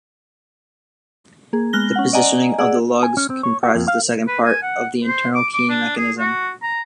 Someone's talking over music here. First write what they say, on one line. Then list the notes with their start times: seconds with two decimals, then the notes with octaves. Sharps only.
The positioning of the lugs comprises the second part of the internal keying mechanism.
1.53 A#3 G#4
1.73 G#3 B3 F6 F#6 A#6 G7
1.96 C#4 F#5
2.13 D5 D#5 F#5 G#5 A#5
2.58 G#4 D5 F#5 E6
3.02 G#5
3.17 C#4
3.30 C4
3.43 C#5
3.63 F#4
3.75 F2
3.88 F5
4.28 B4
4.44 G#5
4.62 F#5
5.04 C5
5.35 D6
5.54 D6
5.70 D4
5.97 G#4
6.18 F#4
6.63 A#5